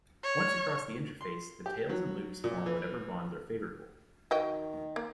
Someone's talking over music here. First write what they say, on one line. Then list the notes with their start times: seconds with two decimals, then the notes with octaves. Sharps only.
Once across the interface, the tails and loops form whatever bonds are favorable.
0.23 C#5
1.21 C6
1.66 G4
1.89 F#3
2.44 A#2
2.66 E3
4.31 D#3 F#4 D#5 G5
4.96 A#3